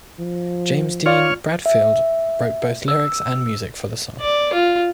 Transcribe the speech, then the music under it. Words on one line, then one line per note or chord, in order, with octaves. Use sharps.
James Dean Bradfield wrote both lyrics and music for the song.
F3
F4 C#5 D5 F5 F6
E5
E6
D5
F4